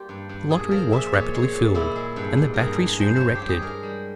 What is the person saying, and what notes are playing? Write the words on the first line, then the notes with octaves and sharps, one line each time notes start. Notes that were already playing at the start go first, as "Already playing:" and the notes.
The lottery was rapidly filled, and the battery soon erected.
Already playing: G3 A#3 F4 G4
G2
G2
A#2 G#4
F3 A#4
A#2 E5
A#2 C#5
G#3 C#5
A#2
A#2 E4
G#3
G2
G2
G2 G#4 A#4
G#3
G2 C5
G2 C5 C#5
G4
G2
G#4
G#3 A#4
G3